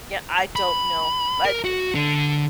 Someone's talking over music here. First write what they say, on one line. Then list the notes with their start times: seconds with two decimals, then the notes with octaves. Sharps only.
Yeah, I don't know, but i
0.56 B5
1.45 A#4
1.64 F#4
1.95 D3